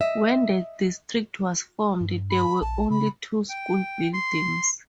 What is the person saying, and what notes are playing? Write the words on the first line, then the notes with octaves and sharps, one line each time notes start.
When the district was formed, there were only two school buildings.
D#5 E5
G2
B5
A#1 A5
C#3 B5
G5
C6